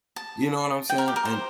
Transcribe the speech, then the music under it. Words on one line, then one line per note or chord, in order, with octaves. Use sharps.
You know what I'm saying? And
A5
G5
A#4
G4
A#4
C5